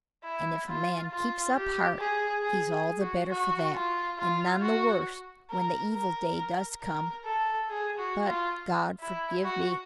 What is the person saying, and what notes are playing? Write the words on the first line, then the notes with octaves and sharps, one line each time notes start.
And if a man keeps up heart, he's all the better for that, and none the worse when the evil day does come. But, God forgive me!
E4
F4
F4
G4
G#4
G#4
G#4
F#4
F#4
F4
F4
F#4
A#4
A#4
A#4
A4
G#4
F#4
F4
E4
F#4